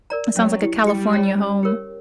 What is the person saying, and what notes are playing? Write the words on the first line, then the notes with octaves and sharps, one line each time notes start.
It sounds like a California home.
A#4 D5 A#5
F#3 C#4
E4 G4
G3 G4
C#5 G5 A#5
C#4
G4 A#4 C#5